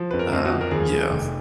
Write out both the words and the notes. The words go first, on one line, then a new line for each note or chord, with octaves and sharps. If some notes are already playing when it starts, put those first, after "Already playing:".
Uh, yeah.
Already playing: F3
F2 B4
A#4
F2
F#4
F3
A#4
D#2 G#4
D#3
F1